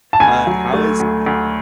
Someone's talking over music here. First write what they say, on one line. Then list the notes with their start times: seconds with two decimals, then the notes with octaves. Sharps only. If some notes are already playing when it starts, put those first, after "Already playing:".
uh, how is ha
0.13 A5
0.20 D2 G#5
0.47 F#3
0.73 A3
1.00 D2
1.26 D2